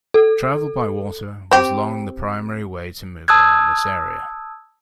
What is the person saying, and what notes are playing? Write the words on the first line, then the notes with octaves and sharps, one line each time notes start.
Travel by water was long the primary way to move around this area.
A4
C4 G4
A5 D#6 E6 F#6 G#6